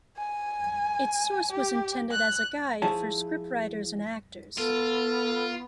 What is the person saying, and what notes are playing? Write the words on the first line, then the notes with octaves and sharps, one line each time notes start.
Its source was intended as a guide for scriptwriters and actors.
G#5
G4
F#6
F3 E4 G#4 C#5 A5
B3 F4 A4